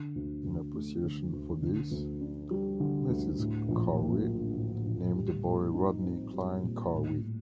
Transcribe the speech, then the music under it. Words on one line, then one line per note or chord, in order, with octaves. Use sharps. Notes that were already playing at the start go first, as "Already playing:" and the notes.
In appreciation for this, Mrs. Carew named the boy Rodney Cline Carew.
Already playing: D3
D2
D2
A3
D3
D2
D3
D2
D4
G3
D3
D2
A2
A#1
A#3
F#3
A2
A#1
G3
A#2
D#4
C4
G3
A#2
A2